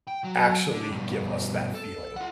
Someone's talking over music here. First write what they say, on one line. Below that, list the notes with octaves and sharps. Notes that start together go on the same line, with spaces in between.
actually give us that feeling.
G5
F#3
D3
G2 B2
A4
F4 F#5